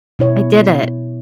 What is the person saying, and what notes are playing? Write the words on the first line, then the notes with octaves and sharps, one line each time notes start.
I did it.
B2 E4 C#5